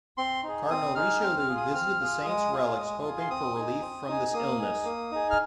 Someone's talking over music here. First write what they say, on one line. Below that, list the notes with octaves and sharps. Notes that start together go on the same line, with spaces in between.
Cardinal Richelieu visited the saint's relics hoping for relief from this illness.
C4 C6
D#4 G#4
C4 D#6
D#4 G#4 F6
C4 F6
F6
F4 G#4
D#6
C4 F6
F4 G#4
G#3 D#6
F4 G#4
G#3
F4 G#4
C6
C4 D#6
D#4 G#4
C4
D#4 G#4
A#3 D#6
D#4 G#4
A#3
D#4 G#4
F6